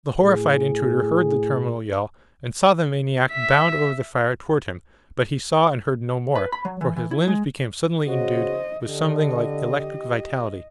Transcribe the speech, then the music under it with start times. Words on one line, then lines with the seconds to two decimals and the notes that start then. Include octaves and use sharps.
The horrified intruder heard the terminal yell, and saw the maniac bound over the fire towards him, but he saw and heard no more, for his limbs became suddenly endued with something like electric vitality.
0.22 A2 G#4
3.32 E5 B6
6.35 B4
6.52 B5
6.65 F#3
6.81 E3
6.96 E3
7.11 E4
7.28 G#3
8.08 C#3 F#4 C5 D#5
8.87 D3 G4 D#5